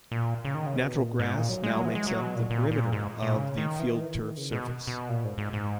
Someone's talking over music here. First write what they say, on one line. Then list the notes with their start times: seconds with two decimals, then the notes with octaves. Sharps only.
Natural grass now makes up the perimeter of the FieldTurf surface.
0.12 A#2
0.45 C#3
0.55 D#3
0.66 C#3
0.76 B2
0.98 A#2
1.19 G#2
1.35 A#2
1.49 F#3
1.64 G#3
1.74 F#3
1.85 E3
1.95 G#3
2.07 F#3
2.22 B2
2.35 A#2
2.50 A#2
2.71 A#2
2.93 G#2
3.22 A#2
3.36 C#3
3.57 D#3
3.79 E3
3.96 D#3
4.01 E3
4.23 D#3
4.37 C#3
4.52 B2
4.87 B2
5.09 A#2
5.25 G#2
5.38 G#2
5.53 G#2